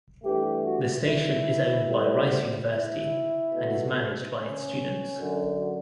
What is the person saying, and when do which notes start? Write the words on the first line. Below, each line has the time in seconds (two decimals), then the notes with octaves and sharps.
The station is owned by Rice University, and is managed by its students.
0.23 G2 E3 A3 G4
0.64 F#4
1.06 E4
1.87 A2 G3 B3
2.71 E4
3.53 B2 A3
4.36 C#4
5.19 F#2 D3 F#3